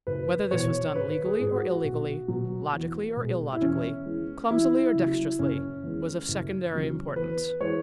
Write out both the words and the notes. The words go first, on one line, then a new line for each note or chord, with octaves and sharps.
Whether this was done legally or illegally, logically or illogically, clumsily or dexterously, was of secondary importance.
F#1 B4
E2 B2 C#5
G#1 B4
G#4
G#2 G#3
F#4
B1
B2 F#3
E2
B2 G#3
E4
E1 C#4
E2 E3 G#3
E2 E4
C#3 F#3
F#1 C#4
E2 E3 G#3
F#1
E2 C#3 F#3
E2 B4
E3 G#3 C#5